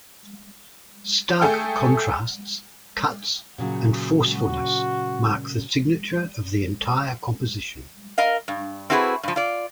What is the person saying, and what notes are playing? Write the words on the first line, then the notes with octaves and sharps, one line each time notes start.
Stark contrasts, cuts and forcefulness mark the signature of the entire composition.
A3 G#4 A4 G5
A#2 C#3 F#3
F#4
A#4 D#5 F5
G2
C4 E4 F#4 G#4 A4 B4
G2 F3
F4 D5